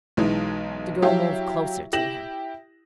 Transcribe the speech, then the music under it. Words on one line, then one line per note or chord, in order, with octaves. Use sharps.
The girl moved closer to him.
B1 E3 G#3 D#4
F#3 E4 G4 E5 F5
E4 G4 A#6 E7 F#7